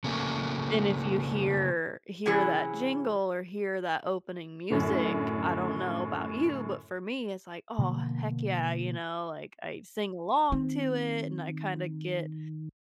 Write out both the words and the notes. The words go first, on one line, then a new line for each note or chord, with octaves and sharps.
And if you hear hear that jingle or hear that opening music, I don't know about you, but for me, it's like, "Oh, heck yeah." You know? Like, I sing along to it, and I kinda get
C#3 A3 A#3
C3 E3 F#3 C#4 E4 G#4
F#2 A2 D3
B2 D3 F3 A#3
D#3 C4